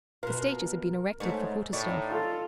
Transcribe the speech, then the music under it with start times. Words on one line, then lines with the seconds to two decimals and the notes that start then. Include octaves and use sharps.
The stages had been erected for quarter-staff.
0.23 B2 F4 A#4
1.20 G#2 A3 C#5
1.73 A2 D#4 C#5 D5
2.11 F4 A4